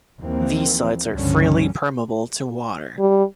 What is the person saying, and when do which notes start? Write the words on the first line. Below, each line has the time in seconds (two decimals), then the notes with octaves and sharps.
These sites are freely permeable to water.
0.20 D#2 E3 F3 A#3 C4
1.11 C#2 G2 D3 F3 G3 C#4
2.99 G3